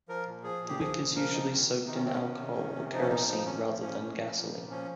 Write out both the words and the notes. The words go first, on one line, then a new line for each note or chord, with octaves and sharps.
The wick is usually soaked in alcohol or kerosene, rather than gasoline.
F3 A#4
A#2
F3 G#4
A#2
G4
F3 G#4
A#2
F3 A#4
A#2 D#4
D#3
C3
D#3 D#4
C#4
C3 C4
C#4
D#3
C3
D#3
C3
F3 D#4
C#4
A#2 D#4
F3 D#4
A#2 C#4
F3
A#2 C#4
F3
A#2
F3
A#2
F3 C#4